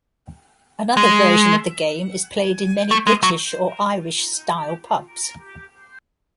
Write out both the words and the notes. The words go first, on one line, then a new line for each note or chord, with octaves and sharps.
Another version of the game is played in many British- or Irish-style pubs.
G#3
A3
G#3
F#3